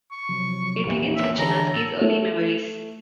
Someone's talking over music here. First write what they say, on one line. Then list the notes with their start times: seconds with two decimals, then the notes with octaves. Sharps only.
It begins with Chinaski's early memories.
0.11 C#6
0.29 C3 F3 F#3
0.86 A#1 E2 A#2 G4
1.16 C#5 E5 G#5
1.39 D3 E3 D4 A#5
1.74 A2 A4
2.01 A3